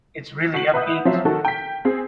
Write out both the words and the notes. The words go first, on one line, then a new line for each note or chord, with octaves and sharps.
It’s really upbeat.
F#4 G6 B6 C7 F#7
B4 E5 F#5 D#6 G6
F3 F#3 C4 C5 E5
D#3 F#4 A4
G5 B6
C4 G#4